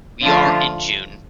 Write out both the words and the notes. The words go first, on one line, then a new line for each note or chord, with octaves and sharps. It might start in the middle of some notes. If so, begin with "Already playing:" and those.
We are in June.
D3 F3 A3 F4